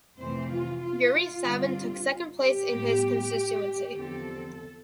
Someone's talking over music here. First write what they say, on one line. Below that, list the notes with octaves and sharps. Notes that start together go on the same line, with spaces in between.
Yuri Savin took second place in his constituency.
F2 C3 E3 A3 C4 C5
F4
F4
G2 D3 G3 C4
G4
A2 G3 B3
E2 D3 F3 C4 A4